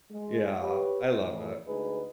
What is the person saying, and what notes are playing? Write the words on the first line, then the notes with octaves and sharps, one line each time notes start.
Yeah, I love it.
G#3
G4 B4 C#5
A2 C#3 E3
D2 G#3 D#4 G#4 B4